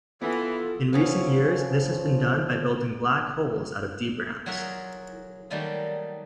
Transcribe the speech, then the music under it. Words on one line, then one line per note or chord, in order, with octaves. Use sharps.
In recent years, this has been done by building black holes out of D-branes.
E3 B3 F4 A4
E3 F3 B3 C#4
F#3 F4 F#4 G#4 A#4 E5
D#3 F#3 G3 A3 A#3 D#4